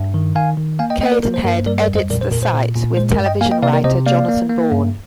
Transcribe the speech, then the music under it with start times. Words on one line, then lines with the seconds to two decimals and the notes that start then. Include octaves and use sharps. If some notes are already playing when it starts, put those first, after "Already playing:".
Cadenhead edits the site with television writer Jonathan Bourne.
Already playing: G2
0.14 D#3
0.36 D#3 F5 G#5
0.57 D#3
0.79 A#3 F5 G#5
0.90 D#5 G5
1.01 A#3 D#5 G5
1.12 A#4 D5
1.23 A#3 A#4
1.34 C5
1.45 G2 A#4
1.55 C5
1.66 G3 A#4 D5
1.81 A#4 D5
1.88 F2
1.96 C5 D#5
2.10 A#2 A#4 D5
2.21 C5
2.32 A#2 A#4
2.43 C5
2.53 A#2
2.75 A#2
2.97 G#3 C5
3.12 A#4
3.19 G2
3.26 D#5 G5
3.41 A#3 F5 G#5
3.51 D#5 G5
3.63 C3 D5 F5
3.73 A#4 D5
3.84 C3 C5 D#5
4.06 A#3 D5 F5
4.28 A#3
4.50 A#3
4.72 G2